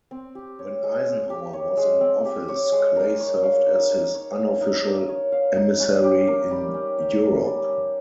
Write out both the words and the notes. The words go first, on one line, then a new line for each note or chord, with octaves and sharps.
When Eisenhower was in office, Clay served as his unofficial emissary in Europe.
C4
G4
C#5
G#3
C4
G4
C#5
G#3
C4
G4
C#5
G#3
A#4
C#5
F5
D#4
A#4
C#5
F5
D#4
A#4
C#5
F5
D#4
C#4
G4
A#4
G3
C#4
G4
A#4
G3
C#4